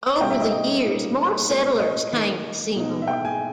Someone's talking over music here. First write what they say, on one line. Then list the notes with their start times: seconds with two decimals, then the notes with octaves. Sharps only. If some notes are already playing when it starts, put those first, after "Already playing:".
Over the years more settlers came to Seymour.
0.20 B2 G3 A#3 D#4 G5
0.30 E5
0.42 D#5
0.52 D#5
0.84 A#2 G3 A#3 D#4
1.49 A#2 G#3 C#4
1.80 D#5
2.13 D#3 A#3 D#4
2.76 B2 G#3 D#4
3.02 E5
3.08 G5
3.25 G#5